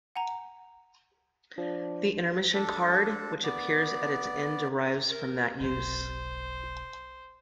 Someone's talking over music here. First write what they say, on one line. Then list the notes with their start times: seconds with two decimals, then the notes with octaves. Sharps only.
The "Intermission" card which appears at its end derives from that use.
0.16 F#5 G#5 A#5
1.58 F3 D4
2.54 D4 A4
3.44 B3 D5
5.09 A#4
5.60 F1 B1 C5